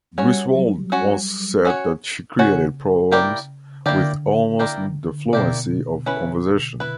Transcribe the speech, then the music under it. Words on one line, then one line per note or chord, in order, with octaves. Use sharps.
Griswold once said that she created poems "with almost the fluency of conversation".
G3 C#4 F#4 C#5
F#3
C#4 F#4 C#5
C#4 F#4 C#5
C#3 C#4 F#4 C#5
A#3 E4 G4 A#4 D5
D3 A#3 E4 G4 A#4 D5
A#3 E4 G4 A#4 D5
B2 A#3 E4 G4 A#4 D5
C#4 E4 B4
E4 B4